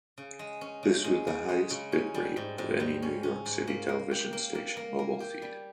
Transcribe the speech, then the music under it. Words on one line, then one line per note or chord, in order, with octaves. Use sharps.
This was the highest bitrate of any New York City television station mobile feed.
C#3
G#3
C#4
C#3
G#3
C#3
G#3
C#3
C#4
G3
G#2
G#2
G3
C#4
C#4
G#2
A#3
A#3
G4
A#3
A#3
A#3
A#3
G4
G3